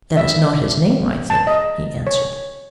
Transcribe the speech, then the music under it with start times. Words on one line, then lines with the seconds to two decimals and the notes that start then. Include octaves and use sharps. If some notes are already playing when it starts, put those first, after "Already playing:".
"That is not his name, I think," he answered.
0.17 E5
1.30 A5
1.47 D#5
2.07 C#5